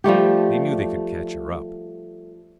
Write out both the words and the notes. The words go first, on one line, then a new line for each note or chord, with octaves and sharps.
They knew they could catch her up.
F3 G3 A3 G4